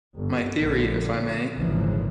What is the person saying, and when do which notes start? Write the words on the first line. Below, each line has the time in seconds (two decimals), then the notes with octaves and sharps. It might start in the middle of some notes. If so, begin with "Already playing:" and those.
My theory, if I may...?
0.16 G1
0.55 A#1 A2 D3
1.55 G#1 D2 A#2 C#3 E3 F3